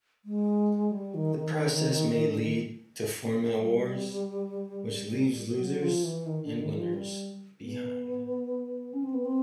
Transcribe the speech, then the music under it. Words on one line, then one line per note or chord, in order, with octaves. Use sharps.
The process may lead to format wars, which leaves losers and winners behind.
G#3
G3
D#3
D#3
D3
D#3
G3
F#3
F3
E3
D#3
D3
D#3
F3
G3
B3
C#4
C4
B3
C4